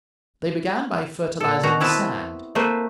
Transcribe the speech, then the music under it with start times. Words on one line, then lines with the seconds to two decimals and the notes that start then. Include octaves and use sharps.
They began by fertilizing the sand.
1.40 A#2 A4
1.63 B2 D#3 F#4 A#5
1.80 B3 C4 E4 B4 A5
2.55 A3 A#3 C4 B4 C5